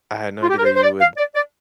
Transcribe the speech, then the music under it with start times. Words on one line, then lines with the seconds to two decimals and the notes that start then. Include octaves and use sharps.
I I had no idea that you would
0.42 F4
0.49 G4
0.58 A#4
0.65 C5
0.76 C5
0.83 D5
1.00 F5
1.17 D5
1.35 D5